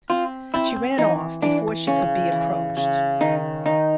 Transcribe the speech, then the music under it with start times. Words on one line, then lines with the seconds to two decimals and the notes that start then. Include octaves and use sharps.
She ran off before she could be approached.
0.10 C4 F4
0.54 C4 E4
0.98 E3 D#4
1.42 E3 D4
1.87 C#3 C#4
2.32 E3
2.77 C#3
3.21 D#3 D#4
3.66 D#3 D#4